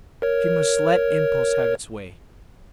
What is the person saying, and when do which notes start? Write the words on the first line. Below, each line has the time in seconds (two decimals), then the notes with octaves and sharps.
She must let impulse have its way.
0.22 A#4 C#5